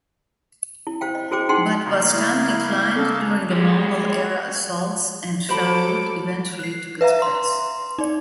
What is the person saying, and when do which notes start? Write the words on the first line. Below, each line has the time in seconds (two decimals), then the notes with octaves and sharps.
But Bastam declined during the Mongol era assaults, and Shahrud eventually took its place.
0.87 E4
1.01 C5 F5 G5
1.15 D#5
1.31 E4 F#4 G#4 C5 G5 D6
1.49 D#4 G#4 F#5 G5 C6
1.84 C#3 A#3
2.13 E4
2.96 A4
3.50 G3 G#3
5.49 F#3 A4 C5 B5 D6
6.59 F#6 C7
7.01 B4 E5 F5 A#5
7.22 C6
7.99 D#4 D5